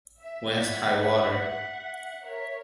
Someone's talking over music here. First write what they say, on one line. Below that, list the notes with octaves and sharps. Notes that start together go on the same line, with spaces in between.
When's high water?
E5
E5 F#5
A#4 C#5 E5